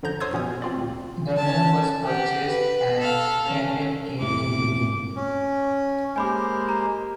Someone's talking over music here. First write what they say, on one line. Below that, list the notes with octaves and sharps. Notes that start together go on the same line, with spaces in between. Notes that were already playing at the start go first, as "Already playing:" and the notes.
The mill was purchased and Tembec came into being.
F#2 D3 F3 A#5 G6
C5 C#5 C6 D#6 E6 G#6
B2 F3 B3 C#4
B2
C4 F4 D5
D2 A#2
C#4 A5
G4 F#5
B4
A4 F5
C#4
F1 A2 C3 D6
C#4
G#3 A#3 G4 C5 G#5 B5 D6
A#5